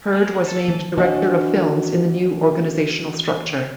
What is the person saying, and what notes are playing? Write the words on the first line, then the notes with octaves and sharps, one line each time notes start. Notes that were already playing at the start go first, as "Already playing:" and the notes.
Heard was named director of films in the new organizational structure.
G#3
A4
E3
E3 D4 F#4 D#5 A5